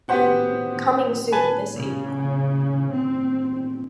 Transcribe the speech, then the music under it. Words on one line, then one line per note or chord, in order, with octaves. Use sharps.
Coming soon this April.
B3 F#4 G4 C5 F#5
B4 G#5 A5
C#3
C4